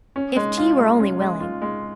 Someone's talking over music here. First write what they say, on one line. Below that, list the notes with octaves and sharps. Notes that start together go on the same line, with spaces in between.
If T. were only willing!...
C#4
G#3
F4
G#3
C#4
G#3
F4
G#3